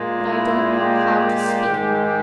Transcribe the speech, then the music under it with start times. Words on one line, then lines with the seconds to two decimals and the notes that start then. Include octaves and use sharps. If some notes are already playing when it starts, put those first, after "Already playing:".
But I don't know how to speak now.
Already playing: A#2 G#3
0.29 E4
0.74 G4
1.65 G#2 D#3 G#3